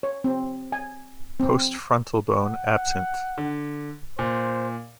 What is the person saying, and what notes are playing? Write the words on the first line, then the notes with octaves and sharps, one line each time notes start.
Postfrontal bone absent.
C#5
C4
G#5
C4
F#5
D3
A#2 C5